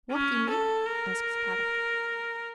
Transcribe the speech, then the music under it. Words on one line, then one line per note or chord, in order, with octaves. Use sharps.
"What you mean?" asked Kadok.
C#4
A4
A#4